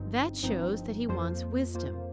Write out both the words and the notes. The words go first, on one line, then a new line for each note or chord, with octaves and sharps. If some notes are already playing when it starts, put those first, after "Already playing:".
That shows that he wants wisdom.
Already playing: G1 G2 F3 C4 D#4
G1 G2 F3 C4 D#4
F2 F3 A#3 F4 C5
F2 F3 A#3 F4 C5